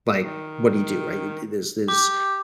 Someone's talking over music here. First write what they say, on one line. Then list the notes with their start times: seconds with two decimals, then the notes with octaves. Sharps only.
like, what do you do, right? Th there's there's
0.20 D#3
1.88 G4 D6